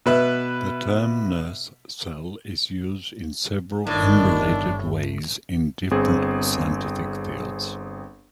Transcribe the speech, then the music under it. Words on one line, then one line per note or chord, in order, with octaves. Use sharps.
The term nurse cell is used in several unrelated ways in different scientific fields.
B2 B4 E5 F#6
G1 A2 D#3 D4
G1 C4 G#4